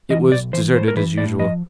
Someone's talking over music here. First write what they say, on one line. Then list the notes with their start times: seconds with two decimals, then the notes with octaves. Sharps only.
It was deserted as usual.
0.10 E3 D#5
0.31 B1 D5
0.53 E3 C5
0.75 A2 C5
0.88 A#4
0.96 E3 B4
1.18 A2 D5
1.39 F3 D#5